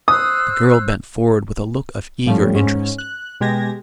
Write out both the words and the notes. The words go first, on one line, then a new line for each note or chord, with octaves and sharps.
The girl bent forward with a look of eager interest.
C5 D#6 E6 F#6
A2 F3 G3 A3 C#4
G#2 C#4
F#6
B2 G#3 G4 G#6 A#6